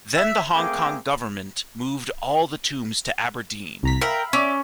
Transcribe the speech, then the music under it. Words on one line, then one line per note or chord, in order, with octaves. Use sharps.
Then the Hong Kong Government moved all the tombs to Aberdeen.
E5
A3 A#3 C4 G#4 G5 D6
C2 A#5 B6
A#4 E5 F5 G5 B5
C#4 D5 E5 D6